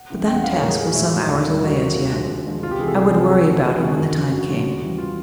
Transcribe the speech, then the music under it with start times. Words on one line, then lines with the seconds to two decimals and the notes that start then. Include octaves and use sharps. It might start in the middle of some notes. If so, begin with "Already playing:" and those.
But that task was some hours away as yet; I would worry about it when the time came.
Already playing: F#5
0.10 C#3 E3 G3
0.27 E2 G5
0.35 F#5
0.44 C#3 E3 G3 F5
0.53 C#5
0.61 A2 A#4
0.69 G#4
0.78 F3 G#3
0.86 F#4
0.95 A2 E4
1.12 F3 G#3
1.28 D#2
1.45 D#3 G3
1.62 D#2 F#4
1.79 D#3 G3
1.95 D#2
2.12 D3 F3 G#3
2.29 D#2
2.46 D3 F3 G#3
2.63 C2 F4
2.71 G4
2.79 E3 G#4
2.84 C3 A4
2.97 C2 G#4
3.13 C3 E3
3.30 F2
3.47 C3 F3 G#3
3.64 F2 F#4
3.80 C3 F3 G#3
3.97 F#2
4.14 D3 F3 G#3
4.31 F#2 F#4
4.48 D3 F3 G#3
4.65 D#2
4.82 C#3 E3 G3
4.98 F4